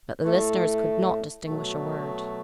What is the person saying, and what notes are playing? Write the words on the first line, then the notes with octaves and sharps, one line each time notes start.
But the listeners could not distinguish a word.
A2 A3
B2 F#3 A3